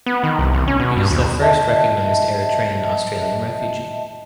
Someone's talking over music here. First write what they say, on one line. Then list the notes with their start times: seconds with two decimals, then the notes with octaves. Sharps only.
He was the first recognized Eritrean Australian refugee.
0.06 B3
0.24 D#3
0.39 C2
0.54 C2
0.68 C#4
0.80 B2
0.97 G2
1.10 D#2
1.42 D#5 E5 A5